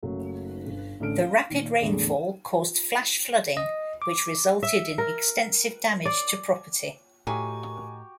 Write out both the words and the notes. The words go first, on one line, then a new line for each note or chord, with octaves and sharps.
The rapid rain fall caused flash flooding, which resulted in extensive damage to property.
F#1 F#3 A3
G1
A1 D3 A4 F6 D7
F5
A#2 D#3
E2 A2 D3 G#3
D#5
D6
E5
A#4
D5
A2 D#4 F#4 G4 G#5